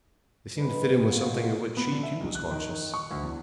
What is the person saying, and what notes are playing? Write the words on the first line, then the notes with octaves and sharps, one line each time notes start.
They seemed to fit in with something of which she too was conscious.
C#2 F#2 G#3 B4
G#3 A#3 B3 F4 F#4 A4
B3
D3
E5
B1
F#6
D#3
D#3
C#6
D2
E2